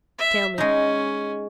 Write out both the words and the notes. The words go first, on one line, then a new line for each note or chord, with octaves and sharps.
Tell me.
E5
G#3 C#4 D#4